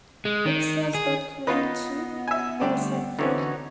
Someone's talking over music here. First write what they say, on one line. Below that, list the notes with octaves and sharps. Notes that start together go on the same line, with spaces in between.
It serves that community and Saukville.
G#3
D#3
G#4
D#3 B3 D#4 F4 B4 D#5
E5 G#5
D3 G3 A3 D4 G4
D3 E3 C#4 D#4 F#4 C#5